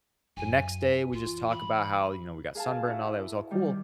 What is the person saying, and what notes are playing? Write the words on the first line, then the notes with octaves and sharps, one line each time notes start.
The next day, we just talk about how, you know, we got sunburned and all that, it was all cool.
F#2 G#5
E3 F4
B5
G#4 A#4 F5 G#5 A5
E4 F#4
D#3 G3